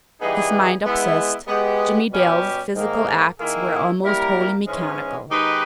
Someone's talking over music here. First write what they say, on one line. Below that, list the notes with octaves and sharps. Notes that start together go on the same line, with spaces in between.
His mind obsessed, Jimmie Dale's physical acts were almost wholly mechanical.
E3 G3 B3 D#4 G#4
G#3 B3 E4
G#3 B3 G4
B2 G3 C#4 G4
G#2 D#3 A#3
D#3 A#3 E4 G#4
G3 A#3 E4 A#4
G#2 E3 G#3 C#4
D#3 G#3 D#4 G4 B4